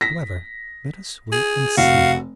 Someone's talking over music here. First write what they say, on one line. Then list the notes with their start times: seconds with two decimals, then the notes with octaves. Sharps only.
However, let us wait and see.
0.01 A#6 B6
1.32 G#4
1.78 F1 F#4 F5